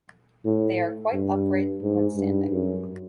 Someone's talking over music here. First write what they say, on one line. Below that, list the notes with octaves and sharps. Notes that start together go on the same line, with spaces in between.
They are quite upright when standing.
A2
G2
G#2
G2
F#2